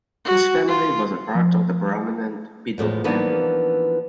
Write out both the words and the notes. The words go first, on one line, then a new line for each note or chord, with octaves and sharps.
His family was a part of the prominent Biddle family.
F#4
F4
F3
E2 A2 F3 G#3
E3 F3 A#3 B3 D4 D#4